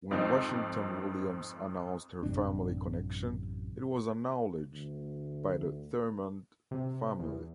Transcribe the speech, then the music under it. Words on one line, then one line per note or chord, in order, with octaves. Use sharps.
When Washington-Williams announced her family connection, it was acknowledged by the Thurmond family.
G#1 F2 C4 D#4
A1 F#2 C3 D4
D2
C3
E2